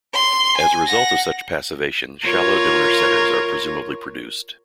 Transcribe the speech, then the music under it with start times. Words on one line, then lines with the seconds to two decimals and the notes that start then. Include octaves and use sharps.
As a result of such passivation, shallow donor centers are presumably produced.
0.14 C6
0.58 G#5
0.87 F#5 A#6
2.25 F4 A#4 C#5